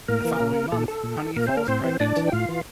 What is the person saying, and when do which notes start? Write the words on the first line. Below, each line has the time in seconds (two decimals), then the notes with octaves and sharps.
The following month, Honey falls pregnant.
0.08 A2 A#3 A#4
0.25 E3
0.40 A#2
0.72 A#2 A4
0.88 A4
1.04 A#2
1.36 A#2 A#3 A#4
1.47 C4 C5
1.57 A#3 A#4
1.68 A2 C4 C5
1.84 E3
2.00 A2 D4 D5
2.17 E3
2.28 G5
2.32 A2 F4 F5
2.49 E3